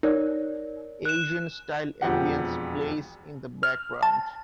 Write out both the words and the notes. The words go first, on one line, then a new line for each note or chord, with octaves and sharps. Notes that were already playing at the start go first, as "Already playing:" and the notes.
Asian-style ambience plays in the background.
D#4 A#4 C#5 D5
F#6 E7
E1 F2 G4 F#5
F6
A5